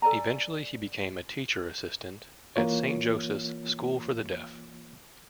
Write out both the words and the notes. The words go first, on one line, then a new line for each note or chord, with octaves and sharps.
Eventually, he became a Teacher Assistant at Saint Joseph's School for the Deaf.
A4 D5 G#5 A#5
E3 A#3 F4 C#5